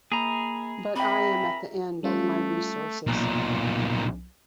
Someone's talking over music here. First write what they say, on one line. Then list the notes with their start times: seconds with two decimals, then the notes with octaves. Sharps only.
But I am at the end of my resources.
0.12 A#3 G#4 A#5 B5
0.96 C4 A#4 E5 G5 B5
2.03 G3 A3 C#4 F4
3.07 B1 A#2